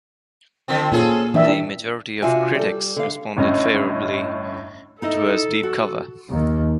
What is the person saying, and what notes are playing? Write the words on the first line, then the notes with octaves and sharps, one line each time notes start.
The majority of critics responded favorably towards "Deep Cover".
D3 F3 C4
A#2 C#4 F4 G#4 A4
F#2 E3 D4 E5
C3 D4 F4 F#4 E5 G#5
G3 A4
D3 F5
G1 A2 C#4 D#5
D#4 E4 A4 D#5
F#4
D#2